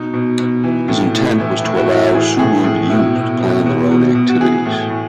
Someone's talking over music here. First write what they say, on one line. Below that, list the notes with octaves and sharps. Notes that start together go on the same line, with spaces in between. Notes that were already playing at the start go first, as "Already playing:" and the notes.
His intent was to allow Subud youth to plan their own activities.
Already playing: B2 D#4
B2
B2
E3
A2
A2
E3 E4
E4
A2
F#4
A2
E4
E3 G#4
A2 G#4
A2 G#4
B2 E4
B2
B2
B2
B2
B2
F#4
E3 G#4
A2
A2